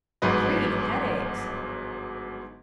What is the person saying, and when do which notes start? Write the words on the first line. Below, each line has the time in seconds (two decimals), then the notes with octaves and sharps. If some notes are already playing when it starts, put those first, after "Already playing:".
"Three headaches!"
0.22 G1 G#2 F3 F#3 B4 D#5